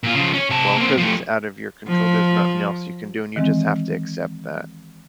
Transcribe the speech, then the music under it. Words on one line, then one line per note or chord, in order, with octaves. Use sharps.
"Well, 'cause it's out of your control, there's nothing else you can do, and you just have to accept that."
A#2 F4
C#3 F3
C#4 C#5
C3 A5
A#3 C4
F3 A3
F3
D#3 E3 G#3 C4